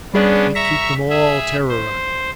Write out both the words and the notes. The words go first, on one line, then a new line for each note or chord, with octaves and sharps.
We keep them all terrorized.
G3 B3 C#4 D4 G#4 D5
E5 A#5 C#6 B6
G#4 E5
C5